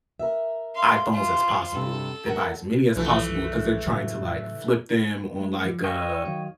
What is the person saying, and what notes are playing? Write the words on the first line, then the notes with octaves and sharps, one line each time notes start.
iPhones as possible. They buy as many as possible 'cause they're trying to, like, flip them on, like, a
A#4 E5
F5 C6
F4 C5
G2 C3 A4
A#4 F#5
B1 E3 F3 A3
A2 C#3 F#3
G#3
F3
C#5 D#5 F5 G5
B4
D#3 F#3 F5